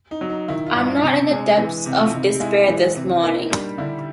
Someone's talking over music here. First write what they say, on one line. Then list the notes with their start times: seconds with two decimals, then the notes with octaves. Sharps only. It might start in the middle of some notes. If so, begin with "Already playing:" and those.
I’m not in the depths of despair this morning.
0.11 D#4
0.21 F#3
0.30 D#4
0.48 D#3 E4
0.66 F4
0.75 G2
0.85 E4
0.97 D#4
1.03 C3 D4
1.31 G#3
1.58 E3
1.86 C3
1.97 F4
2.05 E4
2.14 C3 D#4
2.40 G#3 E4
2.68 E3 E4
2.96 C3
3.23 A#3 D#4
3.51 G3 D4
3.78 D3 E4